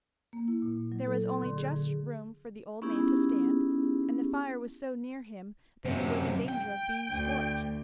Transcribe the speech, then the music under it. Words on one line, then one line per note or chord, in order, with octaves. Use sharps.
There was only just room for the old man to stand, and the fire was so near him that he was in danger of being scorched.
A#3
E4
A#2
F#3
A4
C6
D3
G#4
B3 C#4 D#4 E4 G4 G#4
F#2 C3
G5
D2